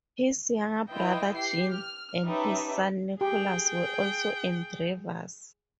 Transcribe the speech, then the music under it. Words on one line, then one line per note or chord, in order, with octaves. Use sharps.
His younger brother Jean, and his son Nicholas, were also engravers.
E4 F4 B4 D#5 G5
G4 G5 C7
F6
C#4 D#4 G4 B4 E5 A5
G4 G#4 G5